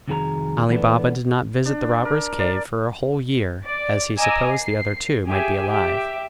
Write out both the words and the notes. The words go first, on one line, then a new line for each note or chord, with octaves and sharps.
Ali Baba did not visit the robbers' cave for a whole year, as he supposed the other two might be alive.
C2 F2 D#3 F#4 G#4 A#5
E3 A3 B3 D4
D4
A#4
D5
D5
D#5 G#5 A#5 D6 E6
C7
G4 G#4 E5 G#5
G4 E5